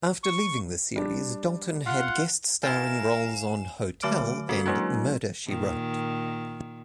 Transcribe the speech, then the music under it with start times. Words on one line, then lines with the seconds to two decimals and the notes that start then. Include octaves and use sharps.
After leaving the series, Dalton had guest-starring roles on "Hotel" and "Murder, She Wrote".
0.23 C#6
0.96 G3 D4
1.87 F4 F5 F#5
2.63 E4 F4 A#4 F5 G#5 E7
4.02 D3 F#3 A3 D6 F6 D7
4.49 C#4 F#4 A4 A#4
4.66 F#3 G#3 A#3 D4 E4 F#4
5.46 A#2 D#3